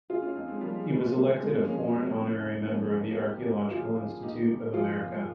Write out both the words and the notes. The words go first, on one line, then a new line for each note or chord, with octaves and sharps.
He was elected a Foreign Honorary Member of the Archaeological Institute of America.
C#3 F4 G#4
C#4 F4
F2 C4 D#4
G#3 C4
F3 G3 A#3
F2 G#3
C#3 G3 A#3
F2 G#3 C4
F3 A#3 C#4
F2
C3
C#2
F3 A#3 C#4
C#2
C3 G4 A#4
C#2 G4 A#4
F3 F4 G#4
C#2
A#2 D#4 G4
C2
F3 F4 G#4
C2